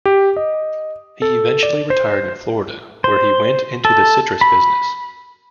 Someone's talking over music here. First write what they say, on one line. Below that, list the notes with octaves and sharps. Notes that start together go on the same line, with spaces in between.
He eventually retired in Florida where he went into the citrus business.
G4
D#5
A4
D5
C5
C5
A4
B5